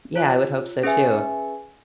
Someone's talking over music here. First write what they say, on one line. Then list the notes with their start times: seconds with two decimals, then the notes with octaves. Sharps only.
Yeah, I would hope so too.
0.15 F4 C#5 F#6
0.83 C#4 G#4 B4 E5 G#5